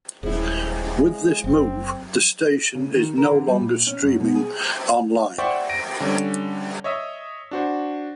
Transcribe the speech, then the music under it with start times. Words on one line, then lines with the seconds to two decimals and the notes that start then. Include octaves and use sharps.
With this move, the station is no longer streaming online.
0.23 D#1 F3 G#3 C#4 E4 G#4
1.44 F#1 F#3 C4
2.75 C#3
2.96 D#3
3.18 A#4
3.31 D3
3.47 G3
3.60 A#2
3.87 C#4
4.03 F#2
4.20 B2
4.35 G#4
5.38 C5 D5 E5 F#5 G5 C#6
5.69 A#6 D7 D#7
6.00 D3 G3 C#4
6.84 C#5 D#5 E5 D#6 E6
7.51 D4 F#4 C5